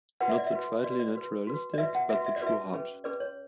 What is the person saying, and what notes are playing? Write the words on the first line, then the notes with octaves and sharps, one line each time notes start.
Not the tritely naturalistic, but the true heart.
F#4 B4 F#5
E5
D5
E5
F#4 B4
F#4 B4 D5
D5
F#4 B4
F#4 B4
D5
F#4 B4 E5
F#5
F#4 B4 E5
E5
D5
F#4 B4 E5
C#4 G#4 B4
C#4 G#4 B4 D5
C#5